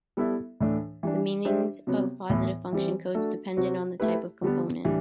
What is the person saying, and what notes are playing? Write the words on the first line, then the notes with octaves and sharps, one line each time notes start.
The meanings of positive function codes depended on the type of component.
G3 B3 E4 A4 E5
A2 E3 A3 D4
E3 G3 D4
G3 D4 G4 C5 E5
C3 F#3 B3
A2 E3 B3 E4
E3 G3 C4
A3 D4 F#4 A4
C3 F#3 C4 F#4
A3 E4 G4 B4
D3 G3 B3
A2 E3 G3 D4